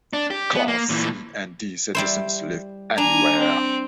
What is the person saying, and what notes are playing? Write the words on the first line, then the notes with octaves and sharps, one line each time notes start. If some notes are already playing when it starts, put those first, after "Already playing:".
Class C and D citizens live anywhere.
D4
G4
B3
A#3
A#2 E3
G3 E4 C5
D4 G#5 A#5
C4